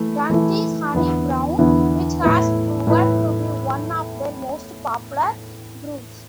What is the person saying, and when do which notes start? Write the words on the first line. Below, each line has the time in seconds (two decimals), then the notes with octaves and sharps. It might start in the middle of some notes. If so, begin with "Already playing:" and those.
Dundee's Honey Brown, which has proven to be one of their most popular brews.
Already playing: E3 A3 E4
0.30 E3 A3 E4
0.94 E2 D3 B3 E4
1.58 E2 D3 B3 E4
2.23 A2 A3 E4 B4
2.87 A2 A3 E4 B4